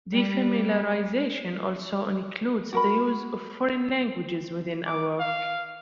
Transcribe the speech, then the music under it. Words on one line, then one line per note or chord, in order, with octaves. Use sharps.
Defamiliarization also includes the use of foreign languages within a work.
G3
F#4 A#4 B5
D6
F5